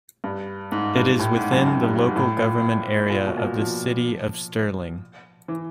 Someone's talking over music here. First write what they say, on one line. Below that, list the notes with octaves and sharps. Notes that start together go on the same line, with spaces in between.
It is within the local government area of the City of Stirling.
G2
G#2
G2
A2
G#2
F#2
F#2
G2
G#2
A2
A#2
A#2
B2
A#2
B2
F3
E3